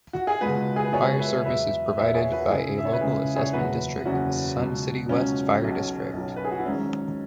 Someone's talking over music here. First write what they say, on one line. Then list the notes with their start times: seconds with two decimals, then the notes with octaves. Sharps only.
Fire service is provided by a local assessment district, Sun City West Fire District.
0.13 F#4
0.27 G#4
0.41 C#2 B2 G#3 F#4 B4
0.76 G#4
0.85 B4
0.93 C#2 B2 G#3 G#4 C#5
1.19 B4 E5
1.45 E2 B2 F#3 B4 E5
1.97 E2 B2 F#3 B4 E5
2.14 G#4 C#5
2.32 F#4 B4
2.49 C#2 C#3 G#3 E4 G#4
2.77 E5
2.85 C#5
2.93 B4
3.01 C#2 C#3 G#3 E4 G#4
3.36 G#4 C#5
3.53 F#1 E2 B2 F#3 F#4 B4
4.05 F#1 E2 B2 F#3 C#4 F#4
4.57 C#2 B2 F#3
5.09 C#2 B2 F#3 C#4
5.62 B1 B2 F#3
6.13 B1 B2 F#3
6.36 B4
6.45 G#4
6.51 F#4
6.58 E4
6.66 G#1 G#2 F#3 C#4